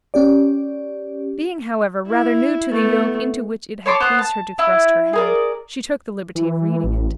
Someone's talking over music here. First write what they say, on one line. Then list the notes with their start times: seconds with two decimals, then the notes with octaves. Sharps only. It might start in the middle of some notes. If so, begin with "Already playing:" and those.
Being, however, rather new to the yoke into which it had pleased her to thrust her head, she took the liberty of reading it.
0.14 C#4 G4 D5
2.07 E4
2.72 A3 B3
3.86 C#5 A5 C6 D6
4.00 B3 C5 F#6
4.19 A5
4.59 E4
5.13 G#4 A#4 D5
6.35 E3
6.84 A1